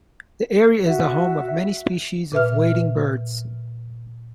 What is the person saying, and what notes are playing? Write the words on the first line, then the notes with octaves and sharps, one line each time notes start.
The area is the home of many species of wading birds.
F#4 E5
A#2 B4 E5 F6